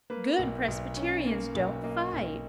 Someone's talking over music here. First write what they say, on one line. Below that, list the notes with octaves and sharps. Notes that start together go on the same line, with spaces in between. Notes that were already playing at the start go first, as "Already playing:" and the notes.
"Good Presbyterians don't fight."
A#3 B4
B1
B1
C#4
A#3
B1
A#3 D#5
B1